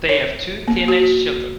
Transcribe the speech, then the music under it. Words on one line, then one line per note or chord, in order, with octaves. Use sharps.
They have two teenage children.
C#5
A#3
F#4